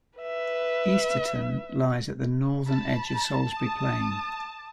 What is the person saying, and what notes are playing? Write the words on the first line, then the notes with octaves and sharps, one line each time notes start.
Easterton lies at the northern edge of Salisbury Plain.
B4 E5
A5 B5
D#6